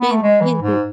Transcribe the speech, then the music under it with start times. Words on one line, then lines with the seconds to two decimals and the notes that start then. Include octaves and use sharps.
She's she's n
0.01 B3
0.11 A3
0.22 G#3
0.41 E3
0.62 G#2